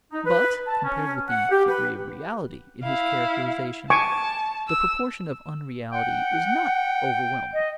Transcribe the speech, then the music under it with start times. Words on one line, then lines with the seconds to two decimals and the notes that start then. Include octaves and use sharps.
But, compared with the degree of reality in his characterization, the proportion of unreality is not overwhelming.
0.12 D#4
0.25 B4
0.67 A5
0.84 C#4
1.29 F#5
1.51 G4
1.68 B4
2.83 E4 F5
3.90 G#5 A5 C#6 D6
4.68 E6
5.92 F#5 G5
7.53 D#5